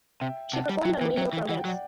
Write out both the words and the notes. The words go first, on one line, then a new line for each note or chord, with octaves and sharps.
She performed on radio programs.
C3 E5 G5
C3 F#5 A5
G3
F#3 E5 G5
E3
F#3 E5 G5
E3
E3 F#5
G5
F#3
D5 F#5